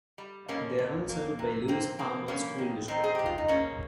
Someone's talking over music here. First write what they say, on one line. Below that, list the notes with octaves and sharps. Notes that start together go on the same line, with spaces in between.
They are all served by the Lewis-Palmer School District.
G3
F2 A#3 C#4
F2
A#3
C3
A#3 C4
A#3 C4
G2 A#3 C#4
D#3
D#3 C4 D#4
G#4
G#3 G4
F4
D#4
G#2 A#3 C#4